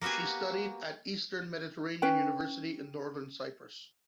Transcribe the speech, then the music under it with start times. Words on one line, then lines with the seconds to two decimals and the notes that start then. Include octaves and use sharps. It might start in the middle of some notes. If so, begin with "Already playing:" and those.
She studied at the Eastern Mediterranean University in Northern Cyprus.
0.01 A#3 B3 F#4 G4 G#5
2.02 C#4 B4 G5